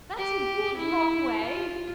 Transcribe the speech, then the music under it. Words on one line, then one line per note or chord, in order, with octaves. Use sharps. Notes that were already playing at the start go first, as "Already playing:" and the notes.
'That's a good long way.
G4
E4
F4